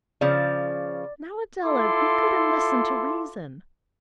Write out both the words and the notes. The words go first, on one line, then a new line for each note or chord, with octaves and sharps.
"Now, Adela, be good and listen to reason."
C#3 F3 D5
E4 F4 A4 C6 D6